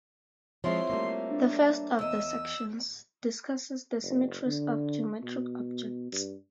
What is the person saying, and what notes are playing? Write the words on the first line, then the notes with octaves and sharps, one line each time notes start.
The first of the sections discusses the symmetries of geometric objects.
F3 G#3 C4 E4 F4 C#5 E5 C6
G3 A3 A#3
D4
E2 D#5 E6
F#1
D3
B2
G2